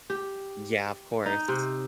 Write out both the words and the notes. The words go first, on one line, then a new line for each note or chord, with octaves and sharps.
Yeah. Of course.
G4
D#4
C3